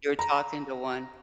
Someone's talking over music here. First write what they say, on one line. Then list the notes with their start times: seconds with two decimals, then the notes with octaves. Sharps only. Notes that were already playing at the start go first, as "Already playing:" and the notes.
You're talking to one.
0.19 A#5